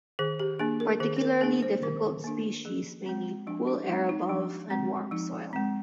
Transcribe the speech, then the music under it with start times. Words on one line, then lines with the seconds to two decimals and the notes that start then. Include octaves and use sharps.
Particularly difficult species may need cool air above and warm soil.
0.19 D#3 G#4
0.39 G4
0.59 A#3 D4 G#4
0.80 A#4
1.00 D#3 G#4
1.17 C5
1.21 A#4
1.41 A#3 D4 G#4
1.62 C5
1.83 D#3 A#4
2.24 A#3 D4
2.65 F3 G#4
3.06 G#3 C4
3.47 F3 D4
3.67 D4
3.89 G#3 C4 D#4
4.09 D#4
4.29 F3 D4
4.70 G#3 C4
5.11 F3 D#4
5.53 G#3 C4